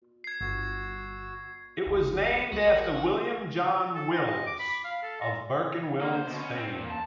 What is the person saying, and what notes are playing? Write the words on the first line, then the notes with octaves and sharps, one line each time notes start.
It was named after William John Wills of Burke and Wills fame.
G#6 C7
G1 F#4 E6
F#1 D2
C#2 F#4
A1 A#4
A4
A#5
D#5
D6
B5
F5
A4
A#5
A#3
C5
B2
C#4
C4
A#2
A5